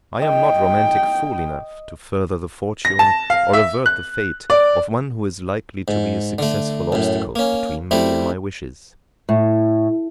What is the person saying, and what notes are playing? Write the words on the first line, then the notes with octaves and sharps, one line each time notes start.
I am not romantic fool enough to further the fortune, or avert the fate, of one who is likely to be a successful obstacle between me and my wishes.
D#5 G5
A#6
A5
F5
E5
F#6
D5
G#2
D3 A3
F#2 A2
A#3 C#4
G3 A3 C4 E4
A2